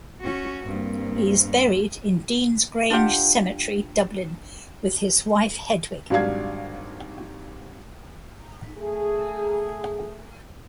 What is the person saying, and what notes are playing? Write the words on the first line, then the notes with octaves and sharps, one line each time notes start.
He is buried in Deansgrange Cemetery, Dublin with his wife Hedwig.
C#4 F#4
G2 G3 A#3 C4
D4 F4 G4 F#5
G#1 F#3 G3 D4 F5 G#6
A3 G#4